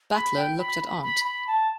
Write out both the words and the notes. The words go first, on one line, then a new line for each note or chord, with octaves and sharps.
Butler looked at aunt.
B5
G5
B5
B5
B5
B5
A5